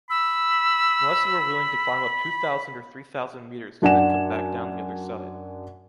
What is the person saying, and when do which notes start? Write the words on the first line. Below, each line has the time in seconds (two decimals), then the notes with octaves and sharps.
Unless you were willing to climb up two thousand or three thousand meters to then come back down the other side.
0.10 B5 E6
3.82 F#2 D4 F#5 G#5 E7